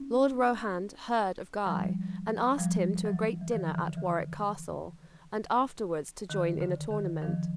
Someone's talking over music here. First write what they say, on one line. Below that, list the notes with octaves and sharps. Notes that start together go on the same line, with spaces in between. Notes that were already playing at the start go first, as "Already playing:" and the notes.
Lord Rohand heard of Guy and asked him to a great dinner at Warwick Castle and afterwards to join in a tournament.
Already playing: B3 C#4
F3 G3
F3 G3
E3 F#3
E3
D#3 F3
D3 E3
D3 E3
D3
D#3
D3
D#3
D#3 F3